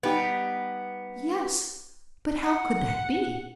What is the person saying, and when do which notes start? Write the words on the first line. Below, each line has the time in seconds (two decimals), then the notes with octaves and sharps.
"Yes, but how could that be?"
0.03 G3 B3 D#4 G4
2.43 F#5